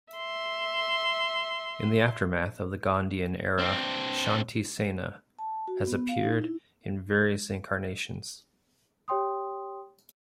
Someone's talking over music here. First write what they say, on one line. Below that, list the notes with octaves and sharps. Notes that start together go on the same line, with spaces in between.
In the aftermath of the Gandhian era, Shanti Sena has appeared in various incarnations.
E5 C6
C4 D4
A5
F#4
B3
F5
D#4
E4
G4 C#5 G5 C6 D#6